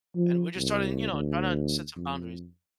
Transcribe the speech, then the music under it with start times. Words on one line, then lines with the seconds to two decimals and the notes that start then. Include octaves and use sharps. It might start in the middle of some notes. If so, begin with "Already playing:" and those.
And we're just starting, you know, trying to set some boundaries.
0.16 F3
0.56 C2
1.12 D2
1.96 F2